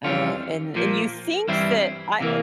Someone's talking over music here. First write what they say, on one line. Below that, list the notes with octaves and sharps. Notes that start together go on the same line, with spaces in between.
uh and and you think that I
F2 E3 G3 C#4 F4
A#2 F3 A#3
G2 E3 G3 C4 E4
C3 E3 A#3